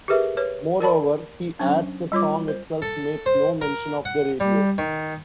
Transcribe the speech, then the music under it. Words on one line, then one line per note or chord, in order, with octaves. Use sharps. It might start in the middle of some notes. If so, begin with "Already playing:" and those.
Moreover, he adds, the song itself makes no mention of the radio.
G4 G#4 A#4 B4 E5
B4 C#5
A#4 D5 A5 B5
F#3 C#4 D4
G3 F4 C#5 D6
C5
A4
C5
A#4
F#5
G3
D#3